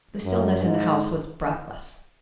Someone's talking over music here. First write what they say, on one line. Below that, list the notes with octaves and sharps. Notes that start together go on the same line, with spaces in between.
The stillness in the house was breathless.
F#2
G#2